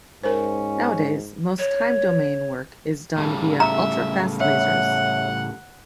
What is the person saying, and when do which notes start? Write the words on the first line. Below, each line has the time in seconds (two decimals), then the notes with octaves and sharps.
Nowadays, most time-domain work is done via ultrafast lasers.
0.24 G#2 C#4 A#4 C5
1.59 C#5
3.17 A2 C#3 G3
3.60 E5 A#5
4.40 C#5 E5 F#5